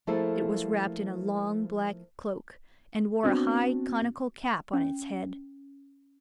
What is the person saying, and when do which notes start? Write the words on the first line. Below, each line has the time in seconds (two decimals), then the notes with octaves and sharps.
It was wrapped in a long black cloak, and wore a high conical cap on its head.
0.07 F3 A3 A#3 E4 G#4 A4
3.23 B3 C4 D4 F#4
4.73 C#4